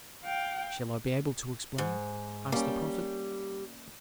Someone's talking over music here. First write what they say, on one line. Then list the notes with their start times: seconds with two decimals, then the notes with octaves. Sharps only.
"Shall I be able to explain?" asked the prophet.
0.24 F5 G5
1.78 G#2
2.52 G3 A#3 C#4